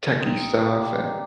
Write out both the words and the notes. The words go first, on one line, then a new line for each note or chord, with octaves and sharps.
techy stuff and
C4 D#4 A#4 D#5
A#3 D4 G4 D5